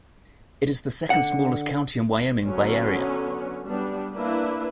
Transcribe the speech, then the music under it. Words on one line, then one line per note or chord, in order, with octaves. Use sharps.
It is the second-smallest county in Wyoming by area.
D3 F#5
D3 F#3 B3 C#4
G3 B3 D4
A#3 D4 E4 B4